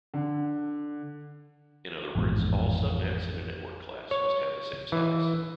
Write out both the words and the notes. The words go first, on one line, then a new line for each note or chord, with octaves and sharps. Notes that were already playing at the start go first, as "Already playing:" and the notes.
In other words, all subnets in a network class must have the same size.
D3
A1 F2 G#2 B2
C#5
E3